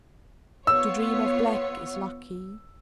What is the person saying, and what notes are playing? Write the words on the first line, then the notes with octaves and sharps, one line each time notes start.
To dream of black is lucky.
B3 F4 C#5 E6